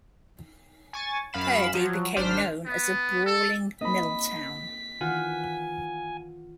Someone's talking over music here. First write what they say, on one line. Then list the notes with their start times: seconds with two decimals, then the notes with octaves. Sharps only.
Purdy became known as a "brawling mill town".
0.93 G#5 C#6 A6
1.33 F#2 F5 B5 E7
1.74 F3 F#3
2.16 G#1 D4 C5 F6 B6
2.65 B3
3.26 A4
3.81 A#3 C4 D#4 D#5 B5 B6
5.01 D#3 E3 F4 F#5 G#5